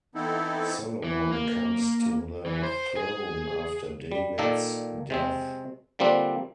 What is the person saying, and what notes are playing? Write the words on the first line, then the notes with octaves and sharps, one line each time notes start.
Solomon comes to the throne after David's death.
E3 B3 C4 D#4 E4 A4
E3
A#3
E3
C5
G#4
G3
A#2 D#3 A#3 A4 D5
C3 G#3 C4
D3 F3 G3 A#3 C4 D4